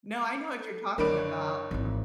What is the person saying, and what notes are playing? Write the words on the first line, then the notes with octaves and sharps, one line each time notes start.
No, I know what you're talking about.
A4
F#1 D3 D4 A#4 C#5 B5 D7
G#1 E3